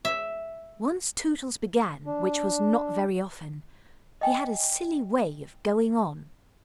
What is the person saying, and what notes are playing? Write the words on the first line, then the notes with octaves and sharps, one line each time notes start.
Once Tootles began, which was not very often, he had a silly way of going on.
E5
D4
D#5 G5 G#5